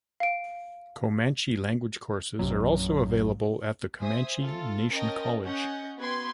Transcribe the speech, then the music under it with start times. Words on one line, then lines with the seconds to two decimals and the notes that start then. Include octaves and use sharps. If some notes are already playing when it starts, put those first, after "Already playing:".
Comanche language courses are also available at the Comanche Nation College.
0.20 F5 D7
2.39 A#1 F#2 F#3
4.00 C5 E5 G#5 D#6
4.42 F4 A4
4.90 C#4 A#4 D#5 G5 A5
5.44 C#4 D#5 F#5 G6
5.98 B3 F#4 B4 G5 C6 G#6